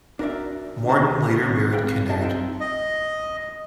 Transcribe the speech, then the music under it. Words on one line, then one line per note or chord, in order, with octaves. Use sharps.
Morton later married Kinnaird.
D4 F#4 A#4 C5 D5 E5
D4 G4 C5 C#5
A2 C3 D#3 C4 C#5
C4 E4 G4 B4 F5 G5
G#4 D#5 E5 F#5 G5 A5
C4 D#4 F4 C5 E5 G5
D#5